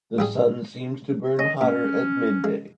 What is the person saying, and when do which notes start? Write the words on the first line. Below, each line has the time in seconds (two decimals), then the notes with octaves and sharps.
The sun seems to burn hotter at midday.
0.18 A1 G3 G#4
1.39 C#4 D#5
1.61 A#2 C#4
2.44 G#3